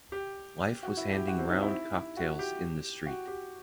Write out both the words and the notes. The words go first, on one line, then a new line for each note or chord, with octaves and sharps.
Life was handing round cocktails in the street!
G4
F#4
E4
G4
F#4
C4
D#4
E4
F#4
G4
F#4
G4